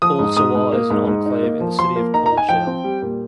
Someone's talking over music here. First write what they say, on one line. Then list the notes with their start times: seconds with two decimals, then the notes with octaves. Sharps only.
Ooltewah is an enclave in the city of Collegedale.
0.02 F3 D#6
0.19 G#2
0.37 G#2 D#6
0.55 G#2
0.72 A#3
0.90 G#2
1.07 G#2
1.26 D#4
1.43 A#3
1.61 F3
1.79 F3 C6
1.96 A#3
2.14 D#4 A#5
2.26 A#5
2.31 D#4
2.37 G#5
2.49 F3 G5
2.67 C4
2.84 G3
3.02 A#2